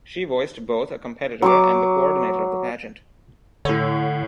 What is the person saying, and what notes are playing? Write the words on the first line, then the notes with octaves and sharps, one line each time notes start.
She voiced both a competitor and the coordinator of the pageant.
F#3 C#6 D6
A2 D3 C#5